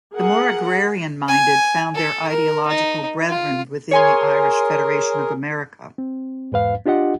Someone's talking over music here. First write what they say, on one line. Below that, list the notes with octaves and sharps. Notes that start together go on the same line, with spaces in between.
The more agrarian-minded found their ideological brethren within the Irish Federation of America.
G#4 A#4 F#5
G#5
A4
A#4
D#4
F4
G#4 A#4 C#5 G#5 C6
C4
E2 G#2 B4 F5
D4 F4 G4 D#5 F#5